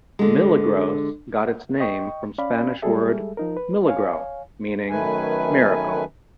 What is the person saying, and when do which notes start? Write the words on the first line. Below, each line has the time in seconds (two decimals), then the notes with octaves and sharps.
Milagros got its name from Spanish word "Milagro" meaning miracle.
0.19 D3 G#3
1.80 D#5 G5 C#6
2.38 C#4 D5 F5 B5
2.82 G3 G#3 G#4 A4 E5
3.37 F3 D#4 A#4
3.57 B4
3.87 C#5 F5 G#5
4.89 F#2 D#3 A3 B4 G#5